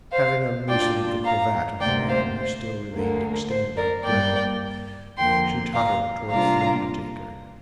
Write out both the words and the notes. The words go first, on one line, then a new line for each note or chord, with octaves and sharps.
Having unloosened the cravat of the man who still remained extended on the ground, she tottered towards the undertaker.
C5 F5
A#2 A#3 D4 F4 D5 G5
F5 A#5
D2 C3 A#3 D5 G5
C5 F5
C5
D2 D3 A#3
C5
A#4 D5
G2 G3 A#3 D5 G5
F2 D3 F3 A#3 G5 C6
F5 A#5
C3 G3 A#3 D4 F4 F5 A#5